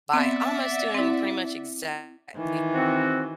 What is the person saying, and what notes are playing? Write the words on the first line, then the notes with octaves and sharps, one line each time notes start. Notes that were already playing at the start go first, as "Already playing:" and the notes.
by almost doing pretty much exactly
B3 C4 D5 E5 F#5
C4 E4
D#3 E3
C4 F#4